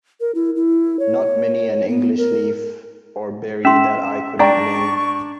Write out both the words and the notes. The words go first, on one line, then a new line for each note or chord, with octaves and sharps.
Not many an English leaf or berry that I couldn't name.
A#4
E4
E4
C#5
B3
A#4
C#4 E5 C6
D4 D5 G5 A#5 C#6